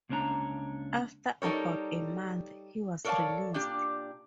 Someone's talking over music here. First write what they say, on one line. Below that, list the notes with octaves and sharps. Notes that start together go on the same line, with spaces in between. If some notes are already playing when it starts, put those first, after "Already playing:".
After about a month, he was released.
C#2 A#3 C#4 D4 A#5
G3 D#4 A4 A#4 C#5
A4 A#4 C#5 D5 F5 A5
A#2 D4 G4